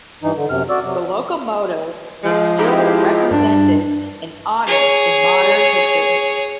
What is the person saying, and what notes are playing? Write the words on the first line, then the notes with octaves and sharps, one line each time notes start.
The locomotive is still represented and honored in modern history.
G2 E3 D#4
D3
F#2 C3 F6
F#4 D5 E6
C3 F#3
F3 G#3
D#4 E4 G4
G2 D4
G#4 C#5